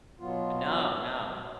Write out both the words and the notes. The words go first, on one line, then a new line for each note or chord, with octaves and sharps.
No, no.
B2 F#3 B3 F4
B2 F#3 B3